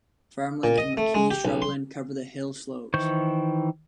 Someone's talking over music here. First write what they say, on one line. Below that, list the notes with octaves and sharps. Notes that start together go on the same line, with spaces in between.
Farmland and maquis shrubland cover the hill slopes.
A#2
D#5
A3
G#3
G4
B1
C6
D#3 E3 C5 C#6 G6